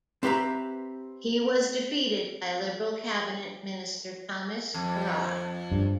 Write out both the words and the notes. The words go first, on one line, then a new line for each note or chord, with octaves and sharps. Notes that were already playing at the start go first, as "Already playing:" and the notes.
He was defeated by Liberal cabinet minister Thomas Crerar.
C4 G4 B4 E5 A#5
F2
G2